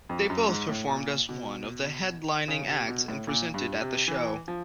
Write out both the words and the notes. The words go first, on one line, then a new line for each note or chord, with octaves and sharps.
They both performed as one of the headlining acts and presented at the show.
F2
F#2
G#2
A2
A#2
B2
C#3
C3
B2
A2
A#2
G2
C3
E3
F3